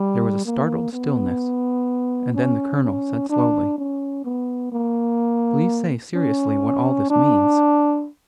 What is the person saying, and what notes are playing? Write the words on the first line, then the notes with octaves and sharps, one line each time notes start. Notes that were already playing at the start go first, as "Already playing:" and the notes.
There was a startled stillness, and then the colonel said slowly, "Please say seriously what all this means."
Already playing: G3
A#3
B3
C#4
C#4
D4
C#4
B3
A#3
C#4
D4